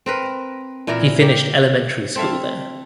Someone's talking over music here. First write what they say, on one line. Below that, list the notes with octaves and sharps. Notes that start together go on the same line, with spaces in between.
He finished elementary school there.
C4 A#4 B4
A#2 E3 E4 A#4
A#3 G4
C4 A4 E5 F5